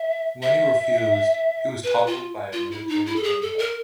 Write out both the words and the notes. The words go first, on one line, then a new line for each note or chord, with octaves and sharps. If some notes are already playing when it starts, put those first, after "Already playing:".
When he refused, he was toppled by a military junta.
Already playing: E5
E5
B4
F4
F4
E4
D#4
E4
A4
G#4
A4
A#4